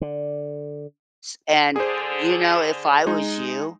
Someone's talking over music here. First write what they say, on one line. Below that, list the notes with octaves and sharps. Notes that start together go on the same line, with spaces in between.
s and, uh, you know if I was you
D3
D3 G#4 C5
G#3 D#4